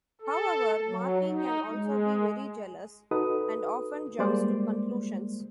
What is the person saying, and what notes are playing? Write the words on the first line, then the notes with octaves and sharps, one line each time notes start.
However, Marty can also be very jealous, and often jumps to conclusions.
A4
F#3
D#4
G#3
D#4 F#4 A4 B4 D#6
G3 G#3 A#3 C5 D5